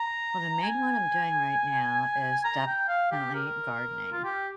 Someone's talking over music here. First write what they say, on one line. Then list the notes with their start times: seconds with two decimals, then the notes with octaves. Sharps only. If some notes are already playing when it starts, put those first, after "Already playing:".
Well, the main one I'm doing right now is definitely gardening,
Already playing: A#5
0.64 G#5
2.45 A#5
2.67 G5
2.89 F5
3.12 G4
3.34 A#4
4.13 F4
4.24 G4